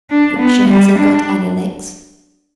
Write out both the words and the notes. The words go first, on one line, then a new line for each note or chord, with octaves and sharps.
She hasn't got any legs.
D4
B3
G3
D4